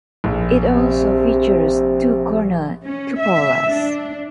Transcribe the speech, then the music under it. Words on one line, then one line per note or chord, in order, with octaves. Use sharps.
It also features two corner cupolas.
A#1
C3
C#4
E5
D4